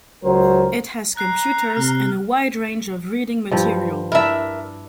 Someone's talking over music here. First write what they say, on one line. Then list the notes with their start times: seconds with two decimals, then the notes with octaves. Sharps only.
It has computers and a wide range of reading material.
0.24 C#2 F#3 A#4 C5
1.17 A#5 F#6 C7
1.76 C3 F6
3.51 G2 F3
4.12 D4 E4 A#4 E5